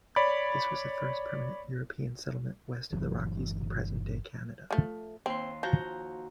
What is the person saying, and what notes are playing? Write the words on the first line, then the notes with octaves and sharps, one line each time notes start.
This was the first permanent European settlement west of the Rockies in present-day Canada.
C#5 D5 B5
G1 E3 F#3
F3 A3
D#2 C4 C6
F3 F#4 A#5 G6